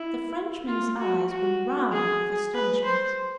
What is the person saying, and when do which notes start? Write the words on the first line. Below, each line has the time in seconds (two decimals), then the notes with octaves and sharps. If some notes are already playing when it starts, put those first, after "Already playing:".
The Frenchman's eyes were round with astonishment.
Already playing: E4
0.67 F4
0.98 F#4
1.30 F#4
1.91 G#4
2.54 B4
2.85 C5